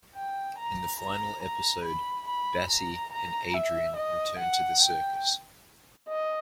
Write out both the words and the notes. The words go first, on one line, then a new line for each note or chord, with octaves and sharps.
In the final episode Bassie and Adriaan return to the circus.
G5
A#5
A#5
A#5
B5
B5
A#5
A#5
E5
D#5
F#5
G5
D#5